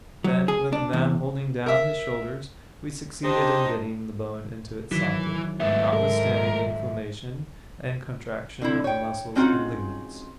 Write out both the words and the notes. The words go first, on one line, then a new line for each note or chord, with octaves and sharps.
Then, with a man holding down his shoulders, we succeeded in getting the bone into its socket, notwithstanding the inflammation and contraction of the muscles and ligaments.
F#3
G#4
D4
E2
A#4 E5
D4 D#4 G4 C5
D#3 E3 F#3 E4
G#2 A3 B3 E5
A4 A#4
D3 C4 E4
C#5 G5
G#3 C4 C#4 D#4 F4 F#4